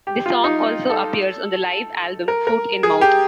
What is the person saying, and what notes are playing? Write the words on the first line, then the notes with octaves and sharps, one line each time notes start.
The song also appears on the live album "Foot in Mouth".
G4
F4
D#4
D#4
A4
A#4
A#4
G#4
G4